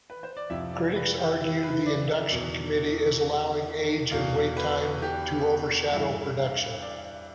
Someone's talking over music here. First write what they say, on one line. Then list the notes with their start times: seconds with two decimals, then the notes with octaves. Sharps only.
Critics argue the induction committee is allowing age and wait time to overshadow production.
0.10 B4
0.23 C5
0.37 D5
0.50 F2 C3 F3 E5
0.73 D5
0.95 B4
1.18 G4
1.41 E4
1.63 B4
1.86 D5
2.08 E5
2.31 E2 B2
4.11 E2 B2 F5
4.57 B4
5.02 G4
5.92 G2 E3 E5
6.37 F5
6.82 D5